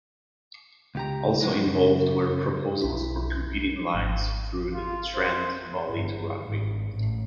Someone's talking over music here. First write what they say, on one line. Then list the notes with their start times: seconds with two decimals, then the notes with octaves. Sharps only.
Also involved were proposals for competing lines through the Trent valley to Rugby.
0.95 C#2 G4 A#5
1.41 F#3 G#3 D#4
1.65 F#2 C#3
2.81 B1 E4
3.94 G#1
4.74 F4
5.15 C5
5.91 G1
6.44 G#1
6.95 A1 A2